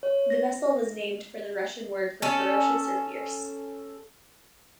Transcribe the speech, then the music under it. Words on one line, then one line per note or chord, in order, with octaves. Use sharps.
The vessel was named for the Russian word for Ferocious or Fierce.
C#5
A#6
C#4 A4